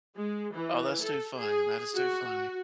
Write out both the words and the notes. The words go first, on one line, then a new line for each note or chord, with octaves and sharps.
Oh, that's too funny, that is too funny.
G#3
E3
A4
G#4
F#4